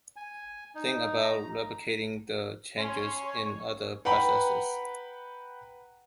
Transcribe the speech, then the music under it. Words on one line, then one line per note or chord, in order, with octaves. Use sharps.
Think about replicating the changes in other processes.
G#5
D#4
A#5
C#4 G#5 C6
C#5
B4 F#5 G5 A#5 B5